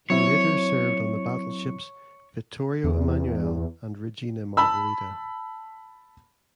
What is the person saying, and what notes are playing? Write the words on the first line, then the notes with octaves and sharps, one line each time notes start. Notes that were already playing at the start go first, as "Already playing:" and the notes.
He later served on the battleships "Vittorio Emanuele" and "Regina Margherita".
F#3 C4 E4 C#5
E2
A5 B5 E6